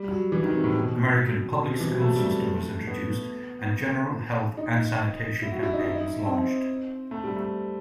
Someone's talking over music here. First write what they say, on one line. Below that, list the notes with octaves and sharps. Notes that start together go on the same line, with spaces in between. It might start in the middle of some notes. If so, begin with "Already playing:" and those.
American public school system was introduced and general health and sanitation campaign was launched.
Already playing: G3
F#3
E3
D#3
C3
A2
B2
B2
C3
E3
F#3
A3
G3
A3
B3
D#4
E4
F#4
E4
D#4
E4
D#4
C4
A3
G3
A3